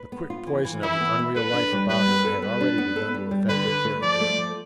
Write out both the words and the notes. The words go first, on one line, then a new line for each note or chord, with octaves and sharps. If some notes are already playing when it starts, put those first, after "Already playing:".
The quick poison of the unreal life about her had already begun to affect her character.
Already playing: B4
B3
F4
E3
E3
E3 E4
B3
B3
A4 B4
D4
G3
G3 B4
B3
A4
G3 B4
D4
B3
A4
G3
G3
D3 B4
D3
A3
F3 D5
A3
F3